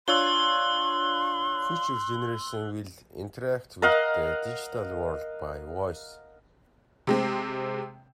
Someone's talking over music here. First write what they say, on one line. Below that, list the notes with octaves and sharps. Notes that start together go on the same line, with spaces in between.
Future generations will interact with the digital world by voice.
D4 F4 C#5 C6 E6 F#6 G7
A#4 D#5 F5 F#5
C3 G#3 C4